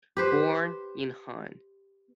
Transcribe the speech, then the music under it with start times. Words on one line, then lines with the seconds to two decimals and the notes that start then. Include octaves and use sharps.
Born in Hann.
0.17 G4 B4 C5